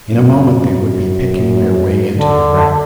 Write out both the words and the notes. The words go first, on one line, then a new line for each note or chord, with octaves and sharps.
In a moment they would be picking their way into the wreck.
F#2
D3